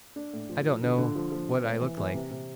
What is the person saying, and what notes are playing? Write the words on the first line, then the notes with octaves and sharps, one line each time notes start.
I don't know what I looked like.
D4
A2
F3
F3
D3
D3
F3
F3
C4
A2
E3
E3
C3
C3